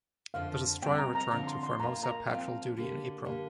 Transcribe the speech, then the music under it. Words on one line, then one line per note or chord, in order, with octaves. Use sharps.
The destroyer returned to Formosa Patrol duty in April.
F2 D3 F3 F5
C3 G3 C4 G5
A#5
A#5
D3 F3 C4 F4 A#5
C6
C6
A#2 A#3 F4 A#5
A#5
F3 C4 F4 G5
D3 A#3 G4
D3 A#3 G4